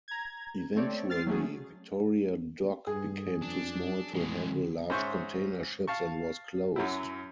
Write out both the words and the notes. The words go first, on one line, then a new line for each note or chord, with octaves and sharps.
Eventually Victoria Dock became too small to handle large container ships and was closed.
A#5 G#6
A3 C4 C#5 D5
C4 F6 A6 C7
F#3 A3 C#4 G#4
G2 G#4
F2 D4
A2 E3 G#3
G#2 C#4 C5 E5 C#6
F5 A5 C#6
F#2 F#3 E4